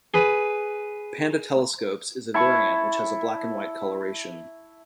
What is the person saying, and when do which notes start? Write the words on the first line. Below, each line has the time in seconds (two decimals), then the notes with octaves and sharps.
Panda telescopes is a variant which has a black and white coloration.
0.14 G#4 B4 B5
2.34 E4 A5 C#6